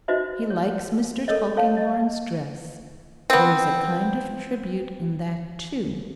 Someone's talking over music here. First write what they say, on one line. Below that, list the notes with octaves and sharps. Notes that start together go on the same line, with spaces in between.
He likes Mr. Tulkinghorn's dress; there is a kind of tribute in that too.
D#4 F#4 B4 C5 D#5 E5
C#5
A4 A#4 C#5 D#5
A4 C#5 F5 A5
D#5
B3 C4